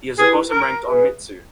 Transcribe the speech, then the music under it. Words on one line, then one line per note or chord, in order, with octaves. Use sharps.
He is a bottom-ranked onmitsu.
E4 G4 G#4 B4
A#4
G#4 B4 E5